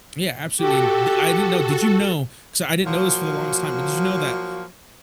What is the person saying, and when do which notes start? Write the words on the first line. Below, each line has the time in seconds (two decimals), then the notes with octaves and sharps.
Yeah, absolutely, and the I didn't know, did you know 'cause I didn't know this for the longest time, but did you know that,
0.60 F#4 G4 A4
2.85 F3 F#3 A#3 F#4